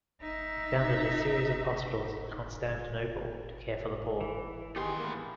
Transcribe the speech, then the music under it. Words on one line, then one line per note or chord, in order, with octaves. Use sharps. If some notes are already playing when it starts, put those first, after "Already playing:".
He founded a series of hospitals in Constantinople to care for the poor.
D#4 E5
E3
D#3 B3 G4 G#4 C6
A2 A#3